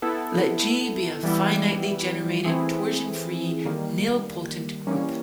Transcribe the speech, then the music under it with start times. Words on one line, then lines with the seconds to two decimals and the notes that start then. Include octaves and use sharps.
Let "G" be a finitely generated torsionfree nilpotent group.
0.02 B3 E4 A4
1.23 E3 G3 B3 E4
2.45 E3 A3 C4 E4 G#4
3.65 D#3 G3 A#3
4.87 E3 G3 A#3 C#4